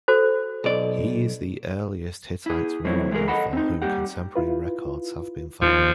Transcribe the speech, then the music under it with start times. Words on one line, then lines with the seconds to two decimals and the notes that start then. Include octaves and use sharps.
He is the earliest Hittite ruler for whom contemporary records have been found.
0.08 F#4 A4 C5
0.64 B1 D5
2.46 E4 G#4
2.84 B2 F#3 A3 C4 E4
3.11 E3 G#3 A3 G#4 A#4
3.28 A4 C5 D#5 F#5 A5 B5
3.53 C4 D#4
3.82 G3 A#3 G4 F#5
4.36 E4 F4 B4
5.62 D#2 F3